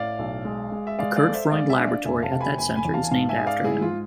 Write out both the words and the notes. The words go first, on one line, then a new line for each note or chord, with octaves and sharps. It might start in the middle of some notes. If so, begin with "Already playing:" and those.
The Kurt Freund Laboratory at that centre is named after him.
Already playing: A2 D5 F5
B1
G#3
G#3
E5
G#3 D5 F5
D5 F5
A4
C5 E5
G#3 D5 F5
E5 G#5
D4
D5 F5
F1 E5 G#5
F5 A5
C3
G#5 B5
F1 G#5 B5
G#5 B5
E2
F5 A5
G#5
G#2 F5 A5
E5 G#5
G#3
D5 F5
G#2 E4 G#4
F4